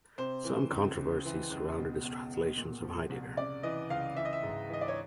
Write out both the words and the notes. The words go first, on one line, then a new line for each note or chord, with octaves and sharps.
Some controversies surrounded his translations of Heidegger.
C3 C5
E3
C#2
C#3
E3
C#2
B2
E2
B2
A#2
F3
C2
C#3 D5
E3 D#5
C#2 F5
E3 E5
D#5
E5
G#2
E3 D#5
D5
C#5